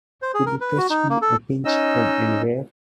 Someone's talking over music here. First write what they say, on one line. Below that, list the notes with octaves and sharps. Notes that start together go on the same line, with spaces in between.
Could you fetch me a pinch from anywhere?
C5
G#4
A#4
B4
F#4
D#4
A#3
A4
C#4 D#4 D#5 E6